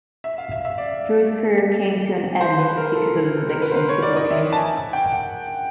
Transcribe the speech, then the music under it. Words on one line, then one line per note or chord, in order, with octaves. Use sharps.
Drew's career came to an end because of his addiction to cocaine.
E5
F5
E5
E5
D5
C5
B4
A#4
A4
A#4
B4
C5
B4
C#5
D5
D#5
E5
A5
G#5
G5
F#5